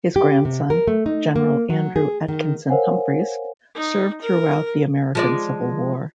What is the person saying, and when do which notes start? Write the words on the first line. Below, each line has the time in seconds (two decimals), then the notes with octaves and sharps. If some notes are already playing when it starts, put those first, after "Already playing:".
His grandson, General Andrew Atkinson Humphreys, served throughout the American Civil War.
0.16 G4
0.45 C3
0.70 A#4
0.88 A3
1.06 D#4
1.36 A#3
1.70 F#3
1.96 G#4
2.28 D#3
2.70 A#4 C5 C#5 F5 F#5 G#5
3.75 D#4
4.22 A#4
5.15 F3 G#3 D5